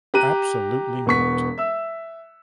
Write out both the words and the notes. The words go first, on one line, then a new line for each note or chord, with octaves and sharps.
Absolutely not.
G4 A#5 F#6 D#7
E1 B3 C#6 B6
E5 E6